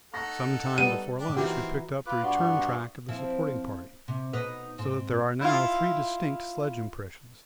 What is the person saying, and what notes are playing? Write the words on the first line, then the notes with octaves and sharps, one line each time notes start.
Some time before lunch we picked up the return track of the supporting party, so that there are now three distinct sledge impressions.
D#4 A4 F#5 C#6 A#6
G3 B3 D#7
D4 G4 D5
D#3 E3 A#3 C4 F#4 G4 A#5
F4 B4 D6 F#6
G2 B3 F#4 D5 C6
F3 C4 E4
C3
B2 D#4 B4
G#2 C4
E4 F4